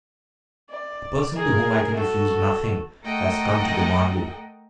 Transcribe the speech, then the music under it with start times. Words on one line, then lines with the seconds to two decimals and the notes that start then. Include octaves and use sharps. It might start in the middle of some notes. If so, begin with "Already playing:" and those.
"A person to whom I can refuse nothing has come to demand you."
0.70 D5
1.36 G#4 A#4
1.95 F#4 A4
3.02 A3 A4 A#4 D#5 F#5 G5